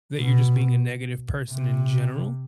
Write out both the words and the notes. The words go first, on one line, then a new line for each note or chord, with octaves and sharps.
that you're just being a negative person in general,
B2
C3